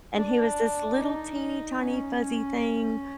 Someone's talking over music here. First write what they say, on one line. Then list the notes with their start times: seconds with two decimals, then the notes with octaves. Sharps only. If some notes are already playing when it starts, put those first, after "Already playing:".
and he was this little, teeny, tiny, fuzzy thing
0.15 D4
0.97 D#4
1.79 C#4